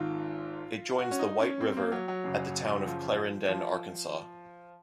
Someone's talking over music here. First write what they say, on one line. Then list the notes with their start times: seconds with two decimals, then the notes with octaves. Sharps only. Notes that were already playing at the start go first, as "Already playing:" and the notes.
It joins the White River at the town of Clarendon, Arkansas.
Already playing: G#1 G#2 D#3 F4
0.98 F#4
1.11 C#4
1.19 D#4
1.40 C#4
1.61 C4
1.72 C4
1.77 A#3
1.92 F#3
2.08 F#3
2.24 F#1 F#2 C#3
2.86 F3
3.49 F3